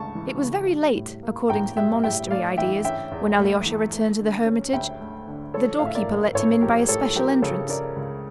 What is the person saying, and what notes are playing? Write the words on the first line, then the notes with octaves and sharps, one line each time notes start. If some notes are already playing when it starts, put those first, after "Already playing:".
It was very late, according to the monastery ideas, when Alyosha returned to the hermitage; the door-keeper let him in by a special entrance.
Already playing: C#2 C#3 A3 A5 C#6
E3
C#3
G3
A2
A#3
A1 G5 A#5
G3 E5 G5
A2 E5 G5
A3 D5 F5
E3 E5 G5
C#4 E5 G5
E2
A3
E3
A3
D3
C#4
D2 E5 G5
A3
D3
F3 A4 C#5
A2 F5
E5
A#4 D5
A1
A1 A4 C#5
F3 G4 A#4
A2 A4 C#5
F3 G4 A#4
C#3 A4 C#5
C#4 A#4 D5
C#2